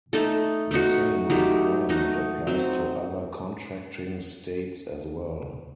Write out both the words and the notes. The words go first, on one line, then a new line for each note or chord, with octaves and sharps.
The same requirement applies to other contracting states as well.
A3 D#4 A4
A3 D#4 F#4
F#3 A3 D#4 G4
A3 D#4 F#4
F#3 C4 D#4